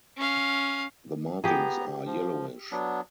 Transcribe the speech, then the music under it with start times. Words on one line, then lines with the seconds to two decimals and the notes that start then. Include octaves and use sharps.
The markings are yellowish.
0.17 C#4 F5
1.44 B3 G4 G#4 A#5
2.06 F3
2.72 F#3 B3 D4